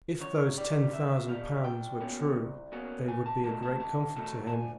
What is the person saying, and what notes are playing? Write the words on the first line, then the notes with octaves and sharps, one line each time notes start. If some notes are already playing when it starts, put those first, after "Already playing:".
If those ten thousand pounds were true they would be a great comfort to him.
F#2 C#5
D#3 G3 D5
F#2 E5
D#3 G3 F5
C2 G5
B2 F#3 A#3 C#4
C2
B2 F#3 A#3 C#4
C3 G#5
A5
D#3 F#3 A3 A5
A5
C3 A5
D#3 F#3 A3 A5
A5
D2 G#5